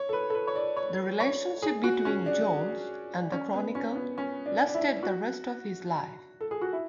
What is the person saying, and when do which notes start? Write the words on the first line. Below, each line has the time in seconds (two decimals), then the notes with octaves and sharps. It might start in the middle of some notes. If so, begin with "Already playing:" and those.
The relationship between Jones and the "Chronicle" lasted the rest of his life.
Already playing: C#5
0.09 A4
0.13 B4
0.30 A4
0.35 B4
0.47 C#5
0.55 D5
0.77 C#5
1.20 C#5
1.62 G#4
1.84 F#4
2.05 C#4
2.26 D4
3.32 C#4
3.54 B3
3.75 C#4
3.95 B3
4.18 C#4
4.46 D4
4.67 D4
4.74 E4
5.03 F#4
6.41 A4
6.51 G#4
6.61 F#4
6.73 E4